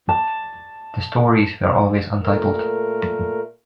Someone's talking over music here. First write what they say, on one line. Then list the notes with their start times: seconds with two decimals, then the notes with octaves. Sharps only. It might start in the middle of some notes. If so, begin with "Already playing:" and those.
The stories were always untitled.
0.09 A5
2.23 A#2 A3 A#4